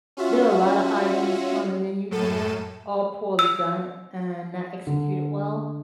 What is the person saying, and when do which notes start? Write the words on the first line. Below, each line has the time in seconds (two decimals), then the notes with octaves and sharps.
there are a lot of items on a menu here, all poorly done, and not executed well.
0.17 C#4 F4 F#4 E5
2.11 F#2 A2 A4 D#7 E7
3.39 E6
4.87 D3